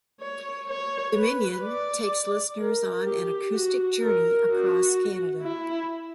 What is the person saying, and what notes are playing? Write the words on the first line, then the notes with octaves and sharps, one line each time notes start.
"Dominion" takes listeners on an acoustic journey across Canada.
C#5
C#5
B4
D5
A#4
G4
F#4
A#4
F#4
E4